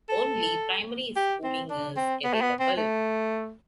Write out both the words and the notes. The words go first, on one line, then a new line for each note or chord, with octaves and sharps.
Only primary schooling is available.
A4
G4
C4
D4
C4
B3
A3
B3
C4
A3